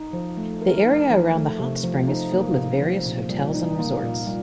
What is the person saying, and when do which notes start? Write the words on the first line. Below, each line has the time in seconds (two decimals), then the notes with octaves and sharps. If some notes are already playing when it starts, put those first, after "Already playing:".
The area around the hot spring is filled with various hotels and resorts.
Already playing: D#4
0.13 F3
0.37 A3
0.62 A#4
0.85 D#4
1.10 F3
1.35 A3
1.60 C3
1.84 F3
2.08 D#4
2.32 A#3
2.57 C3
2.81 F3
3.06 A#2
3.30 G3
3.55 D#4
3.79 A#3
4.03 A#2
4.27 G3